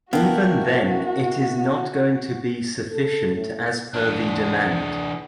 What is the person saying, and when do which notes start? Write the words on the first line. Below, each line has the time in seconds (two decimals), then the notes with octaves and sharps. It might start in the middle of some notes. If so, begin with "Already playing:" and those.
Even then it is not going to be sufficient as per the demand.
0.13 B3 E4 F#4 A#4 F5 G5 A5
2.91 A4
3.35 A2
3.94 E3 D4